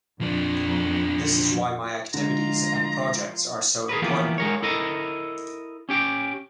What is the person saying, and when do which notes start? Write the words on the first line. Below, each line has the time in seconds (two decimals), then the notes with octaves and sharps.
This is why my activities and projects are so important now.
0.21 F2 F3 D4
2.14 D3 F3 G#3 F4 A#5
3.89 G#4 A#4 B4
4.02 E3 F3 A#3 B3 F4 G4
4.38 G#3 A#4 C#5
4.62 E4 A4 A#4 D#5
5.89 C#4 G4 G5